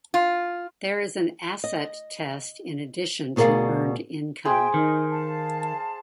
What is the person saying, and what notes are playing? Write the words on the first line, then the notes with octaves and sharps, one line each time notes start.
There is an asset test in addition to earned income.
F4
D#5
D2 B2 G#4 A#4 D5 F5
G#4 C5 E5 G5
D#3 D#4
F5 A5